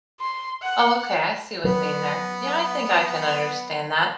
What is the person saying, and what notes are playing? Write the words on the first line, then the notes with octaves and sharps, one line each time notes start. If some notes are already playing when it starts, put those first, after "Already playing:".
Oh, okay, I see what you mean there. Yeah, I think I can understand that.
C6
F#5
F#3 B3 B4